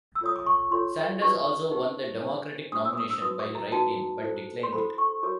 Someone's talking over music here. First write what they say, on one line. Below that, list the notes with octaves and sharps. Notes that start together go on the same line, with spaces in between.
Sanders also won the Democratic nomination by write-in, but declined it.
E6
F4 A4 C#5 D#6
D6
C#6
F4 A4 C#5 C6
D#4 G4 B4 C#6
D#4 G4 B4
D4 G4 C5
D4 G4 C5 D#6
E6
D6
D#6
E6
D#4 F#4 B4 D#6
D6
A#5
D#4 F#4 B4 A5
E4 A4 C5
C6
E4 A4 C5 B5
C#6
F#4 A#4 C#5 D6